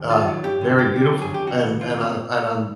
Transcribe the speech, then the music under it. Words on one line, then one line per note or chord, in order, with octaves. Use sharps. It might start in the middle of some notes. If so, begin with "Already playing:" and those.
uh, very beautiful. And and I and I'm
Already playing: D#2
D#3 F4
F#3
G2 G4
D3
D3 G4
D3
F#3
G#4
D#2 G4
C#3 F#4
D#2
E3 F4
C3